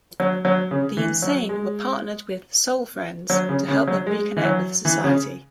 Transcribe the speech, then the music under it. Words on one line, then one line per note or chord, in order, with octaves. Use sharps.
The insane were partnered with "soul friends" to help them reconnect with society.
F#3
F#3
C#3
E3
F#3
G#3
F#3
C#3
C#3
F#3
G#3
E3
F#3
E3
C#3